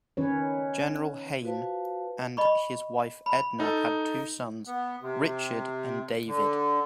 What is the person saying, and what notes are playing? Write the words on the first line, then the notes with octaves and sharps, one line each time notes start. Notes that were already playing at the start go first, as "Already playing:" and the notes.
General Heyn and his wife Edna had two sons, Richard and David.
D#3 C#4 B4 C#5
F4 F#4 B4 C5 F5 A5
D#5 B5 C#6
B5
D#4 A4
B3
C3
D3